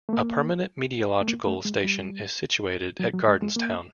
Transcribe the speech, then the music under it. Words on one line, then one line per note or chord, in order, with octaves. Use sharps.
A permanent meteorological station is situated at Gardenstown.
A3
A#3
A3
A#3
A3
G#3
G3
F#3
F#3
G#3
G#3
A#3